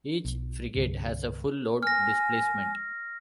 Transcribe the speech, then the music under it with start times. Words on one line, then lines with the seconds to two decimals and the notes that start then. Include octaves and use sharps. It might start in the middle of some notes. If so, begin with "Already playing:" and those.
Each frigate has a full load displacement.
0.25 B1
0.75 C2 G2 D3
1.83 G#5 F6 A#6